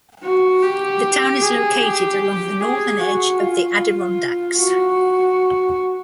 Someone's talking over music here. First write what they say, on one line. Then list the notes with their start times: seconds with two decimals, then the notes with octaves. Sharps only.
The town is located along the northern edge of the Adirondacks.
0.23 F#4
0.63 G4
1.42 G#4
1.81 G4
2.60 G#4
3.00 F#4
3.39 F4
4.57 F#4